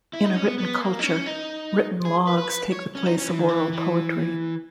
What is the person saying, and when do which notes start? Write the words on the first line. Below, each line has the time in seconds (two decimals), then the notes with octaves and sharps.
In a written culture, written logs take the place of oral poetry.
0.13 E4
0.25 D#4
0.36 C#4
0.47 B3
0.58 B3
0.81 A#3
0.99 D#4
1.03 C#4
1.26 D#4
2.05 G#4
2.27 B4
2.38 B4
2.50 B4
2.72 C#5
2.95 C#4
3.06 D#4
3.18 C#4
3.28 E3
3.39 D#3
3.49 E3
3.73 E3